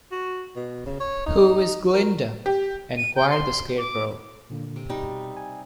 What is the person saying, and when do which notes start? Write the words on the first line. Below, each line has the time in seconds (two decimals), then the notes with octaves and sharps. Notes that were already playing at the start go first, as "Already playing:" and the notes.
Who is Glinda? enquired the Scarecrow.
0.12 F#4
0.56 B2
0.86 C#3
1.00 C#5
1.26 D#4
1.94 A#4
2.46 G4
2.97 D#7
3.15 G5
3.30 C6
3.78 D6
4.50 A#2 D3 A#3
4.76 C3
4.90 B2 G3 D#4
5.37 G#5